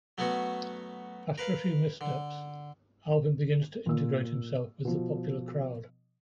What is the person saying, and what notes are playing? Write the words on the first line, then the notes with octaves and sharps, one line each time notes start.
After a few missteps, Alvin begins to integrate himself with the popular crowd.
F#3 A3 B3 C#4 F#4
A#4 B4 F5
D3
A#2 E6
B2 F3